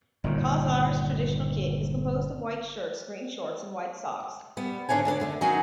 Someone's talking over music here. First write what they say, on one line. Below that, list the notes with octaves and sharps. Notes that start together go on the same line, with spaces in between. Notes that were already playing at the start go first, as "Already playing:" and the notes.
Khazar's traditional kit is composed of white shirts, green shorts and white socks.
G1 A#2 D#3
G3 B3
G#2 D3 D4 C#5 G#5
D3 D4 A#4 D5
F#2 D3 A3
D#3 F#3 C#4 D#4 F#4 G#5